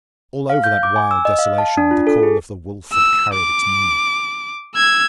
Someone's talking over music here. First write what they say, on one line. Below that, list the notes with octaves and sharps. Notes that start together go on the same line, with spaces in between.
All over that wild desolation the call of the wolf had carried its meaning.
F5
G6
D6
G#5
E6
D#5
F5
A5
D4
F4
A4
G#4
E6
D6
E6 G#6